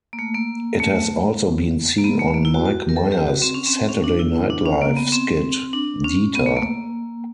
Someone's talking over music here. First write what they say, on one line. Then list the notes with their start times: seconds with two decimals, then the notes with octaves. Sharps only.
It has also been seen on Mike Myers "Saturday Night Live" skit "Dieter".
0.13 A#3
0.19 A3
0.35 A#3
0.80 A3
1.98 A#3
2.04 B3
2.19 A3
2.34 A#3
2.45 E4
2.54 F#4
2.65 F#4
2.81 G4
2.89 A#4
2.96 A4
3.12 G4
3.27 F#4
3.42 C4
3.54 C#4
3.66 C4
3.89 C#4
4.04 D4
4.19 E4
4.50 D4
4.66 C#4
4.82 A#3
4.97 B3
5.12 C4
5.73 D4
6.04 C#4
6.35 B3
6.46 A3
6.57 A#3